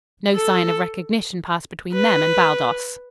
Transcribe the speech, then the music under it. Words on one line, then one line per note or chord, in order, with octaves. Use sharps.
No sign of recognition passed between them and Baldos.
A4
B4